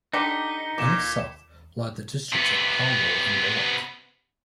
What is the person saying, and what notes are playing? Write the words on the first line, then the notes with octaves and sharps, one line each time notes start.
On its south, lie the districts of Palwal and Mewat.
D3 D4 D#4 G4 B6 C#7 G7
A#2 D6 E7
C3 B3